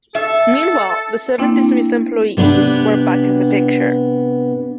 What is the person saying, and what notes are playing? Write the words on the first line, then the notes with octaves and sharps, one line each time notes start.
Meanwhile, the seven dismissed employees were back in the picture.
A4 E5
A#3 C4 D4 E4 G5
C3 B3 D4 B4